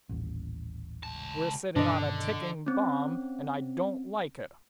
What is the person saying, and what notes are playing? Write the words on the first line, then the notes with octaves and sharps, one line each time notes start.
We're sitting on a ticking bomb and I don't like it.
D#1 A1
C#2 A5
G2 B2 D3 D#3 D4 D#5
C4 C#4